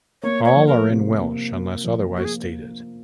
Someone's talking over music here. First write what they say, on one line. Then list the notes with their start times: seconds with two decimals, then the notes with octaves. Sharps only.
All are in Welsh unless otherwise stated.
0.23 A#3 C#5
0.44 C#5
0.55 F3
0.67 A#4
0.89 C3
1.21 A#3
1.53 A#3
1.84 F3
2.17 A#3 F#4
2.25 G#4